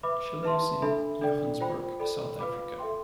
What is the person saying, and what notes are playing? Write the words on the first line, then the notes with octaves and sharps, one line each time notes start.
She lives in Johannesburg, South Africa.
B4 E5 B5 D6
B4 E5 A5 C6
D4 A4 E5 B5
D4 A4 D5 G5
F4 C5 G5 B5
A4 D5 G5 B5
F4 B4 F5 B5 D6
A4 E5 G5 C6